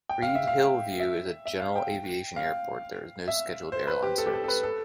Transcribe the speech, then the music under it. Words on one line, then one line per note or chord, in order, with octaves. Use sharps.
Reid-Hillview is a general aviation airport; there is no scheduled airline service.
G5
F5
E5
F5
E5
E5
F5
G5
F5
E5
C5
B4
G4
A4
G4
A4
A4
B4
A4